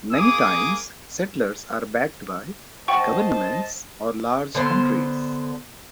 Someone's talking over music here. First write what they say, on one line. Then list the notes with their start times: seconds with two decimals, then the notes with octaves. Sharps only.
Many times settlers are backed by governments or large countries.
0.12 A#3 G#4 D6 D#6
2.88 C5 D#5 F#5 G5 A5 C#6
4.55 D3 B3 C5